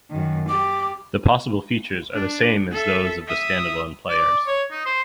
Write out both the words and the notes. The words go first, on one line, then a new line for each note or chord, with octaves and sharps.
The possible features are the same as those of the standalone players.
F#2 D#3
G4 D6
D4
A4 E5
E5 D#6
D5
C#5
D#4
C5